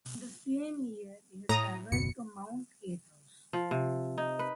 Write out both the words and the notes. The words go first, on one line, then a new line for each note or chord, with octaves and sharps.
In the same year he traveled to Mount Athos.
A2 A#5 D#6
F#1 D#2 B2 C#7
F3
C3
D#4
B4